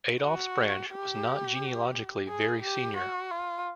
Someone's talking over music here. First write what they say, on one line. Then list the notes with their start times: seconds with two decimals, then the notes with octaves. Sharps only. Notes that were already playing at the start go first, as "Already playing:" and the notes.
Adolph's branch was not genealogically very senior.
0.22 F#4
0.90 G4
2.28 G#4
2.62 G4
2.97 F#4
3.31 F4